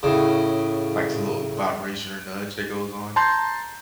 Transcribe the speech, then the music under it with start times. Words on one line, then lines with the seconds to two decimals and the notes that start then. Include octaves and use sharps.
like, it's a little vibration or nudge that goes on.
0.03 A2 C#3
3.16 A5 A#5 C6 G6